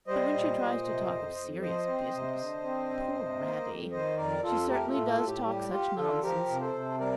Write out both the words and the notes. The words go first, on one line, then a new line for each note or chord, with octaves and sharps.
But when she tries to talk of serious business--poor Radie! she certainly does talk such nonsense!
G3 C5 D#5
A#2
A#2
C3
F2
F2
F3 C5 D#5
C4
C3
D3
C4
G2
C3
A#3
F2
D#3 C5 D#5
F2 A#4 D5
F2 F4 A4
A3 G4 A#4
F4 A4
A2
F4 A4
A2
G4
G3 G4
F4 G4
D3 F4 A4
F3 G4 A#4
C3
A4 C5
C3
G3 A#4 D5